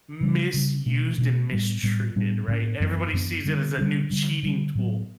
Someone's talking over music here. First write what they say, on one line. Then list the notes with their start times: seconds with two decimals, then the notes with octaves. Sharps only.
misused and mistreated, right? Everybody sees it as a new cheating tool.
0.21 C#3 G3 D4
0.54 C#3 G3 D4
0.86 B2 A3 D4
1.18 B2 A3 D4
1.51 A2 G3 B3
1.83 A2 G3 B3
2.16 A2 G3 B3 D4
2.48 A2 G3 B3 D4
2.80 F#2 E3 B3 D4
3.13 F#2 E3 B3 D4
3.45 D3 G3 B3 D4
3.78 D3 G3 B3 D4
4.10 D3 G3 D4
4.43 D3 G3 D4
4.75 A2 F#3 B3